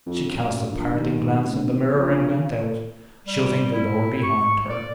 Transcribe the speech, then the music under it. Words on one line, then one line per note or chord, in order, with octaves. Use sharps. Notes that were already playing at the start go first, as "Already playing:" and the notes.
She cast a parting glance in the mirror and went out, shutting the door behind her.
F2
F#2
A#1
D#2
D1
G#1
A#1
G3
E4
C#6
D5